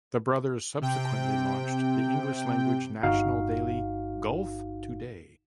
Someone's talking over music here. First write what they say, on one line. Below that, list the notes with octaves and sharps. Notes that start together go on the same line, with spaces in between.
The brothers subsequently launched the English language national daily "Gulf Today".
C3 G5
G1 D#4 F#4 F5